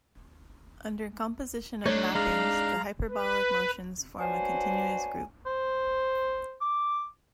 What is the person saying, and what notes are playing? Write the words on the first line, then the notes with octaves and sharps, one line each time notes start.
Under composition of mappings, the hyperbolic motions form a continuous group.
A3 D4 D#4 C#5
G#3 F5 A#5
B4
B3 D4 F#4 C5 C#5 G#5
C5
D6